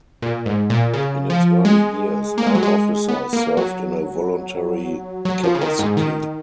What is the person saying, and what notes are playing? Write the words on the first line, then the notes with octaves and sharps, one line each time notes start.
In its early years, all officers served in a voluntary capacity.
A#2
G#2
A#2
C#3
F3
G#3
A#3
G#3
F#3
G#3
B3
A#3
F#3
F#3
F3
C#3
D#3
G#2
D#3